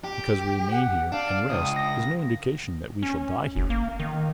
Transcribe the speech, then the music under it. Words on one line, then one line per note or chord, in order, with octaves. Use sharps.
Because we remain here and rest is no indication that we shall die here.
G4
F#5
D4 F5
C#2 D#6
A#6
C#4
F#1
A#3
D#3